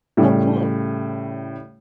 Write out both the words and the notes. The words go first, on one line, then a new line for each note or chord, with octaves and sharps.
Oh, cool.
A2 C#3 G3